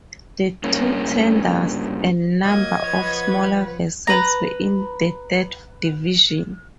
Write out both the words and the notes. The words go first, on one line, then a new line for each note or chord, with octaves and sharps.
The two tenders and number of smaller vessels were in the third division.
G2 A#3 C#4
F#3 A#3 D#5 G#6
F3 B4 C#5 F#5
B4 A#5